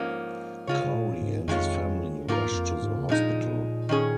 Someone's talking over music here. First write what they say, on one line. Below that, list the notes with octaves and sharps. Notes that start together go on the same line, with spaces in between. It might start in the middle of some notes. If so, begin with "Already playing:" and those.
Cory and his family rush to the hospital.
Already playing: G#2 F3 A#3 C#4
C#3 G#3 F4 C#5
C#3
A#2
G#2
F2 D#3 G#3 F4 C#5
G#2 F3 A#3 F4 A#4
G#2
F2
G#2
C#3
A#2 F3 G#3 D#4
D#3 C#4 G#4